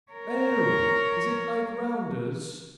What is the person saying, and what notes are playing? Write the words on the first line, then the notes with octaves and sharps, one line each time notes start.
"Oh, is it like rounders?"
A#4 C#5